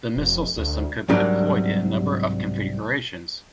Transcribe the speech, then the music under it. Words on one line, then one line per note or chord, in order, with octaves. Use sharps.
The missile system could be deployed in a number of configurations.
F1
D2
C2 G#2 F#3 G3 D4 A#4